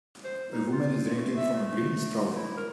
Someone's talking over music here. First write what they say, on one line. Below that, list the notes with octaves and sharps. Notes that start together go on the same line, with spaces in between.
A woman is drinking from a green straw.
C5
D#4
F4
A3
E5
A3
E4
A#4